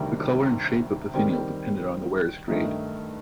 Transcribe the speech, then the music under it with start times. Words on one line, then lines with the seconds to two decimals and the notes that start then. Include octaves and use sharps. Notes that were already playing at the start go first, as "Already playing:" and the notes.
The colour and shape of the finial depended on the wearer's grade.
Already playing: D2 C3 D#3 G3 C4
1.14 D#3 G3 C4
2.48 G2 D#3 A3 D#4